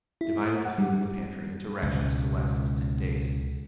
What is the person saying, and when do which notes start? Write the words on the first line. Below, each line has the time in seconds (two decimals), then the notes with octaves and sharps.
I divided the food in the pantry, into rations to last us ten days.
0.21 E4
0.65 F#5
0.78 G3
1.82 C#2 B2